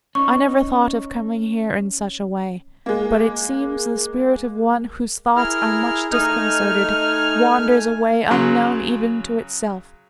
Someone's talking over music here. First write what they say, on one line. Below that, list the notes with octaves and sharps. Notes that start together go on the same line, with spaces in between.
I never thought of coming here in such a way; but it seems the spirit of one whose thoughts are much disconcerted wanders away unknown even to itself.
C#4 D#4 C#6
G#3 A#3
E4 G#4 A#4 F6
A3 D#4 G#5 F6
C#3 F#3 C6